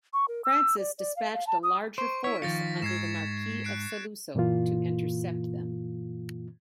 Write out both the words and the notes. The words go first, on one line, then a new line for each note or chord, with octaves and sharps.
Francis dispatched a larger force under the Marquis of Saluzzo to intercept them.
C#6
A#4
E6
D5
D5
F5
F5
A5
D#6
C5 C#6 D7
E4 C#5 B6
D#3 F3 F4 A6 A#6 C#7
G#2 G#6 C7 E7
F#6 C7 D7
F#2 A#2 E3 A#3 F4